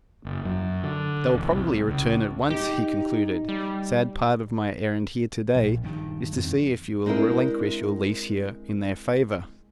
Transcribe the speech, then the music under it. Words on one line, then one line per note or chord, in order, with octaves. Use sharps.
"They will probably return at once," he concluded "sad part of my errand here to-day is to see if you will relinquish your lease here in their favor."
F#1
F#2
D3
E1
C2
C#2
D#4 G4
G3
A#1
G2 D#3
F2 D#3
G#3 C4 D4 E4 A#4